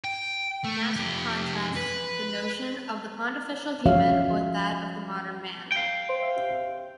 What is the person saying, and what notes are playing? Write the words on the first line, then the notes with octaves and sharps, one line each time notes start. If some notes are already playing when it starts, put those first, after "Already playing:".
Nasr contrasts the notion of the pontifical human with that of the modern man.
G5
A3
F2 G4
B4
F3 C#4 F#4 C#5 E5 F5
F5 G5